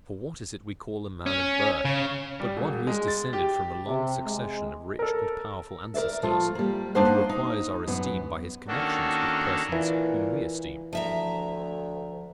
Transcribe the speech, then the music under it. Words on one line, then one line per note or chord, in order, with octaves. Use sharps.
For what is it we call a man of birth, but one who is descended from a long succession of rich and powerful ancestors, and who acquires our esteem by his connexion with persons whom we esteem?
C#4
C#3
G3
E1
G#3
A6
G4
C3
G#3
A4 A#4
A#4 C5 D5 E5
F3 A3 F4
G3 A#3
A#3 D4 D#4 C5 F#5
D#4
F#2 B3
D#3 A#3 C#4 D4 F#4 A4
A#2 E3
D2 F3 E5 A#5